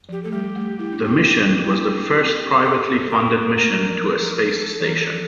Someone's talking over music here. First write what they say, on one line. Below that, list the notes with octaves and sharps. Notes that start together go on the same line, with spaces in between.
The mission was the first privately funded mission to a space station.
F3 G4
A3 A4
G3 G4
A3
E4
D4
C4 E4
E4
A#3 D4
C4
A4
A#4
A3 A#4
F3
F3
A#4
A4
E3 A#4
A4
F3